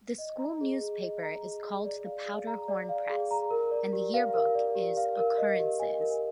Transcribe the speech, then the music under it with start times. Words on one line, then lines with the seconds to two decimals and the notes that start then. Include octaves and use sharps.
The school newspaper is called the "Powder Horn Press" and the yearbook is "Occurrences".
0.18 D#5
0.39 A#5
0.61 G#4
0.81 G#4
1.02 D#5
1.23 A#5
1.43 G#4
1.64 G#4
1.85 D5
2.05 F5
2.26 G#4
2.47 A#5
2.68 D5
2.89 F5
3.10 G#4
3.31 A#5
3.51 A#4
3.71 D5
3.93 G4
4.14 F5
4.34 A#4
4.55 D5
4.75 G4
4.97 F5
5.17 A#4
5.38 D#5
5.59 G4
5.80 G#5
6.00 A#4